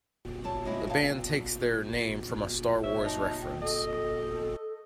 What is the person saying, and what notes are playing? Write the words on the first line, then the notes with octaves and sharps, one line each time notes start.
The band takes their name from a "Star Wars" reference.
G3 E4 C#5 A5
G3 G#3 A#3 C#4 E4 F#4
B2 F3 G4 G#4 F5 A5
C4
G3
C#5 E5
D#4 A5
G5
A4 D#5